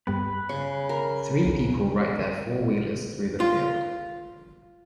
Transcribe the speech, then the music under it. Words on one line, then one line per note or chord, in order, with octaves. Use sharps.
Three people ride their four wheelers through the field.
G2 G3 B3 B4
C#3 C#5
A#4
A#1 D#2
F4